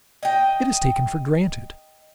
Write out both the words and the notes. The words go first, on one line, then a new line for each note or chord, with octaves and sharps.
It is taken for granted.
D#5 G5